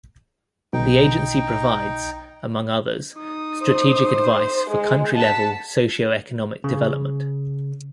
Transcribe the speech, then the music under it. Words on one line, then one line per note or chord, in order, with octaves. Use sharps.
The agency provides, among others, strategic advice for country-level socio-economic development.
B1 D#4 G5
D#4 D#6
C5
G#3
F#5 A5 B6
C#3